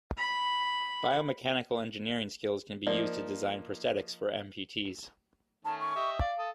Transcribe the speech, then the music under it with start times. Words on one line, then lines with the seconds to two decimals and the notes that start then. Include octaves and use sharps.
Bio-mechanical engineering skills can be used to design prosthetics for amputees.
0.17 B5
2.87 F3 A#3 D#4 D5
5.65 D#3 A3 C#4 A5
5.80 C#6
5.96 G4 D#5 E5
6.20 D5 F5
6.39 A4 D#6